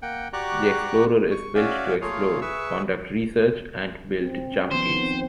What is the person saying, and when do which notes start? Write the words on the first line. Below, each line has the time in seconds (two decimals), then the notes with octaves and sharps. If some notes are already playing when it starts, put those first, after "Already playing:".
The Explorer is built to explore, conduct research, and build Jumpgates.
0.02 A#3 F#5 G5
0.33 F#4 G4 D5 A#5 C#6 F#6
1.31 C#6
1.55 C#4 F#4 D5 E5 F5 G#5
2.02 A3 A#3 F4 G#4 C#5 F5
2.41 G#4 B4 E5 C#6 E6
4.20 C4
4.52 C#4
4.71 D#3 F3 B3 C5
5.03 C4